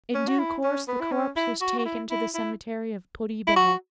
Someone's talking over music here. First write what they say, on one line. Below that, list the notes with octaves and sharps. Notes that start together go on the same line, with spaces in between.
In due course the corpse was taken to the cemetery of Toribeno.
C#4
F#4
E4
C#4
B3
E4
C#4
E4
F#4
F#4
E4
E4
E4
E4
F#4